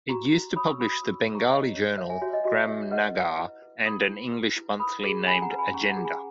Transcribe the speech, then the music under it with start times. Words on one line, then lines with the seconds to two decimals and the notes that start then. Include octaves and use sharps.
It used to publish the Bengali journal Gram-Nagar and an English monthly named Agenda.
0.09 F#4 A#5 C#6
0.33 F#4
0.56 C#5 B5 D#6
0.68 C#6 E6
0.80 F#4 B5 D#6
0.92 B5 D#6
1.03 F#4 C#6 E6
1.28 C#5
1.35 A#5 C#6
1.50 C#5 D#5
1.75 C#5
1.98 C#5 E5
2.10 E5 G#5
2.22 F#4 C#5 E5
2.33 D#5
2.44 F#4 D#5
2.68 C#5 E5
2.91 B4 D#5 F#5
3.15 B4
3.39 E4
3.62 B4
3.85 E4 B5 D#6
4.09 E4
4.32 B4
4.56 E4
4.80 B4 B5 D#6
5.03 G#4
5.26 C#4 G#5 B5
5.42 F#5 A#5
5.51 B4
5.58 G#5 B5
5.74 C#4 A#5 C#6
5.89 F#5 A#5
5.97 G#4
6.05 G#5 B5